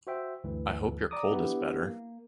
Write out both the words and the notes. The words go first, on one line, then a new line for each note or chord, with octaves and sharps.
I hope your cold is better.
F#4 C5 E5 G5
D2 G2 E3
D5 A#5 D6 D#6
B3 D4 E4 G4
A#3